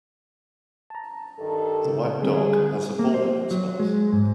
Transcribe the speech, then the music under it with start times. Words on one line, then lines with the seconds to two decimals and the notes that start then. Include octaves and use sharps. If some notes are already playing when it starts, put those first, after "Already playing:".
The white dog has a ball in its mouth.
0.90 A5 A#5
1.39 G2 D#3 A4
1.85 C#3
2.22 D3 G3 C4 G#4
2.99 A#3
3.14 C5
3.51 F#3
3.80 G#3
4.12 G#2